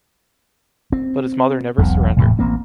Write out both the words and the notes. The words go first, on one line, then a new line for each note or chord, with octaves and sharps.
But his mother never surrendered.
C4
E1 B1 E2
E1 A2 C3
A1 A#3 C4